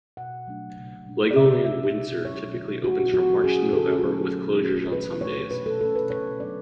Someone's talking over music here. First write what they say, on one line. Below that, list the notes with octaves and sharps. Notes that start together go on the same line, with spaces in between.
Legoland Windsor typically opens from March to November, with closures on some days.
B2 F#5
F#3 A3 D4
C#3
G#3 D4
D5
C#3 E5
G#3 E5
D4
B2
F#3 C#4 C#5
D3
F#3 A3 F#4
E3 F#4
G#3 C#4 G#4
D3 A4
F#3 A3 C#4
F#3
A3 C#4
E3 B4
A3 D4 C#5
B2 B4
A4
A3 C#4 A4
B4
C#3 C#5
F#3 B3 D4 D5